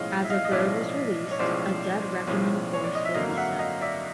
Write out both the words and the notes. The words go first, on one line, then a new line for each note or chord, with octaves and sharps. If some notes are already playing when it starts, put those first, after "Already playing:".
As a bird was released, a dead reckoning course would be set.
Already playing: B1 A2 F3 G#3 C#4 D#5 F5
E5
D#5 F5
D#5
B1 A2 F3 G#3 C#4 D5 E5
C#5
B1 A2 F3 G#3 C#4 C5 D5
B1 A2 F3 G#3 C#4
C#5
D5
D#5
E5
G#1 F#2 D3 F#3 A#3 D#5 F5
F5
E5 F#5
D#5 F5
D5 E5